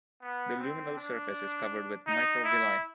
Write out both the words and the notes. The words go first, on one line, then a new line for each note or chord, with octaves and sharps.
The luminal surface is covered with microvilli.
B3
C4
D4
D#4
E4